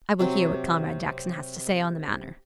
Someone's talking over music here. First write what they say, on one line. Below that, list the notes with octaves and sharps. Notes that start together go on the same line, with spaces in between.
I will hear what Comrade Jackson has to say on the matter.
C3 F#3 C4